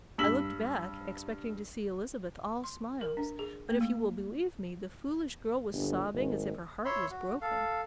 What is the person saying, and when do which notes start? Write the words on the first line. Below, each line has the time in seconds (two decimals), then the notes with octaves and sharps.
I looked back, expecting to see Elizabeth all smiles, but if you will believe me the foolish girl was sobbing as if her heart was broken.
0.18 G2 E6 B6 F#7
2.64 C6
3.01 A#4
3.17 D4
3.39 G#4
3.69 A#3
3.81 A3
5.73 G1
6.14 G#1
6.85 C#5 E5 B5 C6
7.11 F#4
7.41 A4 F5